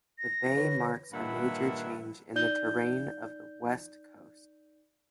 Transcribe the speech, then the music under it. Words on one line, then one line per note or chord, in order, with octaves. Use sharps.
The bay marks a major change in the terrain of the west coast.
A#6
D3 B4 C#5
G2 A#2 D#3 B4 E5 F#5
D#4 D5 G6 G7